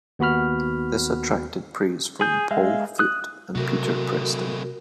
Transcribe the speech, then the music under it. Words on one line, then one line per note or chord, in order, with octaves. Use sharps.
This attracted praise from Paul Foot and Peter Preston.
D#2 B3 F#4 B5 F6
G#4 G6
G#3 E5 F5
D#6 F#6
C3 F#3 A3 F#4 A#4